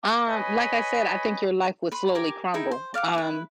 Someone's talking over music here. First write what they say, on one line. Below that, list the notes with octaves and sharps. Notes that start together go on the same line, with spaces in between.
Um, like I said, I think your life would slowly crumble. Um,
B4 C#5 D#5 G#5 B5
B4 B5 C6
G4 A#4 G#5 D6
D#4 E4 G#4 G5
C5
D5 F5 F#5 D6
E4 B4